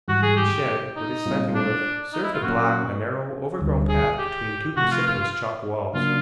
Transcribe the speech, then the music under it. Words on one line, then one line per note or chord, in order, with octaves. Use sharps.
The shed, with its slanting roof, served to block a narrow, overgrown path between two precipitous chalk walls.
G#2 E3 G3 F#4
G#4
G4
D#4
A#2 G3 C4 F4
D4
D#4
E4
F4
A#2 F#3 A#3 C#4 F#4
D2 D3 G3
G#4
G4
C3 F3 A3 F#4
F4
F4
F4
C#3 F#3 A#3 D4 F4